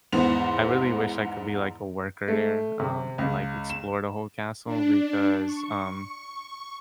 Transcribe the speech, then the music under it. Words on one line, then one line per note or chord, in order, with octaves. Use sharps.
I really wish I could be, like, a worker there, um, and, like, explore the whole castle because, um
E2 G#2 B3 E4 C5 F7
A3
C3
C#2
E7
D4
C#6